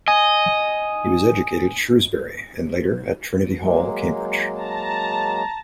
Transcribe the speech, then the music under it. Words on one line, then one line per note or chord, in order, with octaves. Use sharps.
He was educated at Shrewsbury and later at Trinity Hall, Cambridge.
D#5 G#5
F#3 G#3 A#3
A5 A#5